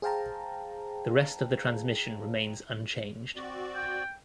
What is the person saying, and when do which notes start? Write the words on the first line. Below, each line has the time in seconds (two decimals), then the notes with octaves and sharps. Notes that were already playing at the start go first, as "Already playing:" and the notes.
The rest of the transmission remains unchanged.
0.02 G#4 C5 F5 G5 A5 A#5
3.36 C4 F#4 D5
3.75 G5